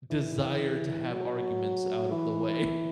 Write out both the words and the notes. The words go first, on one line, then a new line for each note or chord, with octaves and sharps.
desire to have arguments out of the way.
E3
F#3
E3